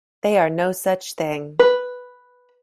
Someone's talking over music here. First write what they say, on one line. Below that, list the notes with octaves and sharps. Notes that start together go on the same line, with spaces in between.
They are no such thing.
B4